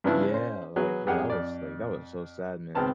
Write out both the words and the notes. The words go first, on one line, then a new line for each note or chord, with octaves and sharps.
Yeah. Like, bro, that was, like, that was so sad, man.
G2 C#3 F3 B3 D4 E4
C#4 C5
F#3 B3 G#4
F2 G4 G#4 F#5
F2 D5
G#1 C#2 B3 C4 A5 F6